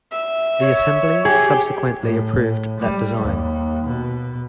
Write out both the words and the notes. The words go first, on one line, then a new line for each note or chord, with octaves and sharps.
The assembly subsequently approved that design.
E5
C#5
G4 G#4
A2
G3
D#2
B2